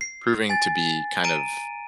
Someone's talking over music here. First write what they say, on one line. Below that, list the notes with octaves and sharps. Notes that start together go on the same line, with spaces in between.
proving to be kind of
C7
G#5 A6
A#5 D7 D#7